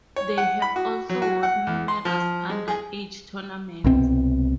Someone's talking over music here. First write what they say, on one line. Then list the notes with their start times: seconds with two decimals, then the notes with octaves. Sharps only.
They have also won numerous underage tournaments.
0.16 C#5
0.38 F#5
0.62 B5
0.76 F#4
1.09 F#3
1.22 F#4
1.43 F#5
1.67 E2
1.88 C6
2.05 F3
2.50 G#3
2.68 G#4
3.84 C2 B2 C4